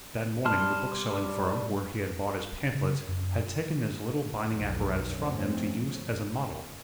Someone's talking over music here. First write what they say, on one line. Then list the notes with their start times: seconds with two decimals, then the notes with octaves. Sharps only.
That morning the bookselling firm where he had bought his pamphlets had taken his little binding apparatus from him to use as a model.
0.45 G3 A5 C6 F6
2.75 C#3
3.08 F#2
4.50 B1 F2
5.18 F2 F3 A3 C4 C#4
5.95 G1